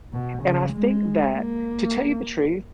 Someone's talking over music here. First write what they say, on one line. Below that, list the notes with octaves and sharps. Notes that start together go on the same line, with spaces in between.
and I think that to tell you the truth,
B2
C#3
G#3
A#3